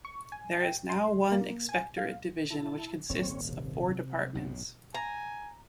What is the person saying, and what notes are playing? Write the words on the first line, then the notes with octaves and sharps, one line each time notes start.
There is now one Inspectorate division which consists of four departments.
C#6
G#5
G5
C6
A#3
G#5
F5
E4 A5
D#1 G#1 D#2 C4 C#5
C3
B1 F#2 A2
G#5 A#5